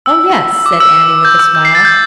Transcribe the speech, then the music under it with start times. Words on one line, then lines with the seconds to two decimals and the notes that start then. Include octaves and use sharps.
"Oh yes," said Annie, with a smile.
0.06 E6
0.66 D6
0.80 E6
1.25 G6
1.39 E6
1.55 G6
1.65 C7
1.75 A6
1.85 G6